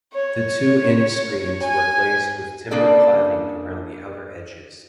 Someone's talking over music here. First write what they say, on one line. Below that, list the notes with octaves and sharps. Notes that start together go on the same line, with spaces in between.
The two end screens were glazed with timber cladding around the outer edges.
C#5
G#5
C#3 A#3 D4 A4 D5